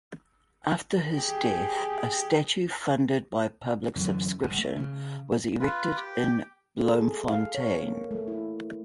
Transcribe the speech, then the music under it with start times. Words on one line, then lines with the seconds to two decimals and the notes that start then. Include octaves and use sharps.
After his death a statue funded by public subscription was erected in Bloemfontein.
1.15 G4 G#4
3.96 F#2 D3 E3
4.43 G1 G2
4.58 A3
4.76 C#3
5.60 F4 B4
5.97 G4 G5
6.79 A4
6.95 G#4
7.29 F5
7.55 C#5
7.83 A#3
8.11 A3
8.28 E4